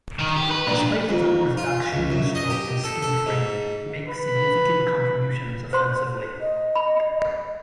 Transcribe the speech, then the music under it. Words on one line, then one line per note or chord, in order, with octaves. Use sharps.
Despite his unorthodox shooting stroke and skinny frame, he makes significant contributions offensively.
D#3
G4
B4
A#2 D4
F2
F4
C#2
F#2
D#5
G4
A4
A4
G#2
B4 B5
C5 C6
D#5
B5